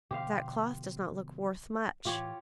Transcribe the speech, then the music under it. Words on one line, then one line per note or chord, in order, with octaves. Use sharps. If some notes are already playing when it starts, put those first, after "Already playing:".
'That cloth does not look worth much!'
B2 D3 F3 G4 C5 F5
A2 E3 F4 G4 C#5